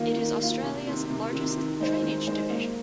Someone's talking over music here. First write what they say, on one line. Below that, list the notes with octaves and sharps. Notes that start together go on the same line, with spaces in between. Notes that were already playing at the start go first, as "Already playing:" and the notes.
It is Australia's largest drainage division.
Already playing: D#3 A#3 F4
D#3
A#3 F4
C3
D#3 C4
C3
D#3 C4
D#3
G#3 D#4 C5
D#3
G#3 D#4 C5
A#3